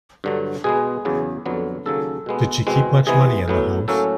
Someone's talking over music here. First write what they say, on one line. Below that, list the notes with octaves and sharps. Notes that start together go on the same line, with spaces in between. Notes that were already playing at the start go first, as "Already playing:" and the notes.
Did she keep much money in the house?
G2 D3 F#3
B2 G#3 B3 G#4
E2 C#3 F#3
F2 D3 F#3 B3
D#2 C#3 F#3 A#3 A4
B2 G#3 B3
E2 B2 G#3 C4
C3 E3 G#3 B3 G#4
A2 F#3 B3
A2 F#3 A#3 C#4 A4